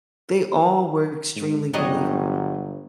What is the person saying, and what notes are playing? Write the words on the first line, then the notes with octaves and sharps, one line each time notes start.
they all were extremely believable.
G#2
G1 F#3 G3 D#5